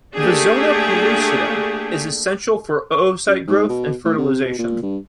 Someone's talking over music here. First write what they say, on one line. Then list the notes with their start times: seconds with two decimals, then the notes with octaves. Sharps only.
The zona pellucida is essential for oocyte growth and fertilization.
0.16 A3 A#3 D4 G4 G#4
3.27 F#2
3.47 G#2
3.69 B2
4.04 A2
4.18 C3
4.45 B2
4.59 A#2
4.83 G2